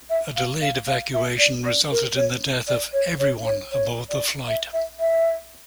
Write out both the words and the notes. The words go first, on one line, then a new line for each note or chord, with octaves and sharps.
A delayed evacuation resulted in the death of everyone aboard the flight.
E5
F5
F5
F5
E5
D5
D5
A#4
C#5
D5
C#5
C#5
C#5
C#5
D5
E5
E5
E5